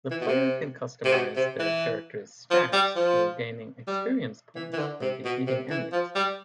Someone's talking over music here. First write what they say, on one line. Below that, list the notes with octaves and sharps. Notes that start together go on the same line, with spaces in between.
The player can customize their character's stats through gaining experience points from defeating enemies.
E3
B2
C3
C3
B2
C3
E3
F3
G3
F3
G3
E3
E3
D3
C3
B2
C3
E3
F3
G3